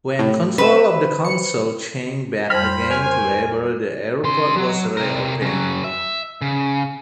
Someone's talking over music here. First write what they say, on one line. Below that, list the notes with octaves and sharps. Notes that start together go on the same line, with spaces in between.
When control of the Council changed back again to Labour the airport was reopened.
A2
C4 F#4 B4 E7
C#7
F2 G3 C5 B5 F6
A#4 C#5 G#5
C#3 C6
F#3
C3 A#4
C#3 F#3
E5
C#3